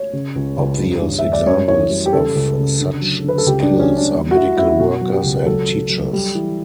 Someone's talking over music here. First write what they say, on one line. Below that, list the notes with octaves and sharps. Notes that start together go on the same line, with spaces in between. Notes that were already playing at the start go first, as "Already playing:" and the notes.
Obvious examples of such skills are medical workers and teachers.
Already playing: C#5
C#3
C#2
C#2
G2
G2
E5
G2
D5
F#2 C#5
E3 C#5
G3
G4
C#3 A4
C#2
C#3
D3
F#3
D3 B4
A4
C#2 G4
D4
F#3
C#4
F#3
D4
G3
F#4
G3 E4
F#2 E4
E4
B2 F#4
F#3
G4
C#2
F#3 A4
F#3
F#3
G3
E3